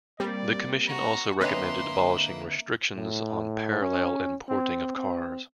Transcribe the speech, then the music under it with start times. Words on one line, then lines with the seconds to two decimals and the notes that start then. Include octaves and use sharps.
The commission also recommended abolishing restrictions on parallel importing of cars.
0.20 G3 A#3 C4 D5
0.88 F#4 A#5
1.41 D3 A#3 C4 C#4 B4 D#5 E5 C6
2.96 A2
3.81 C#4
4.48 C4
4.96 C4